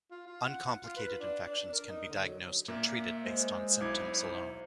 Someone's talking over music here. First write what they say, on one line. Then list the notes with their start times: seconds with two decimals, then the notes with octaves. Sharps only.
Uncomplicated infections can be diagnosed and treated based on symptoms alone.
0.11 F4
0.26 F4
0.45 F#5
0.83 F4
0.96 B4
1.20 D4
1.46 D4
1.73 A#4
1.89 D#4
2.10 D3
2.27 F#3
2.68 A#2 A#3 E5
3.24 G#3 C5
3.80 B1 E4 D6 G#6